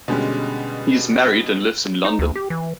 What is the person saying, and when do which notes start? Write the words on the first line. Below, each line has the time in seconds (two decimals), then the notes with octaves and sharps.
He is married and lives in London.
0.08 B2 D3 G3 G#3 C#4
2.04 D#4
2.19 D2
2.36 G4
2.50 E3